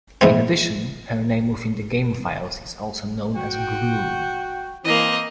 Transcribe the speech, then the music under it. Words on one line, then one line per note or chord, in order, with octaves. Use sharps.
In addition, her name within the game files is also known as "Grue".
G#2 E3 C4
F#4 G5
E3 A#3 C4 D#5